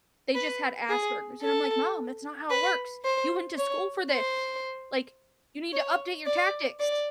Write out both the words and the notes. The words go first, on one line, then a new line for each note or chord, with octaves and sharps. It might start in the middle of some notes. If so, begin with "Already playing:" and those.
They just had Asperger's," and I'm like, "Mom, that's not how it works. You went to school for this. Like, you need to update your tactics."
B4
G#4
A4
B4
C5
C#5
C5
C#5
D5
D5